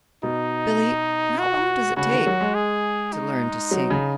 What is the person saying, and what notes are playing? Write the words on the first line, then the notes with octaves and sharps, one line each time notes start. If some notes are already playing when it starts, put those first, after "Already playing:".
"Billy, how long does it take--to learn to sing?"
B2 D#4
F#4
C#3 F#4
D#3
F#3
G#3
G#4
D#4
F#3
C#3